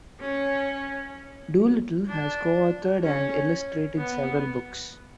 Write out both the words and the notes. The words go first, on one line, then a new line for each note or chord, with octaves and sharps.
Doolittle has also co-authored and illustrated several books.
C#4
D4
C#4
B3